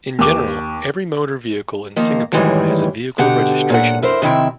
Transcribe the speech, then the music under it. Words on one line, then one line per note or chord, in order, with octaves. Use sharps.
In general, every motor vehicle in Singapore has a vehicle registration number.
D#2 D6
D#3 F3 A#3
F#2 A2 D#3 E3 G3 G#3
B2 D3 G4 F#5
A#2 C#5 F#5
E4 A#4 C5
C3 D#3 C4 E4 G5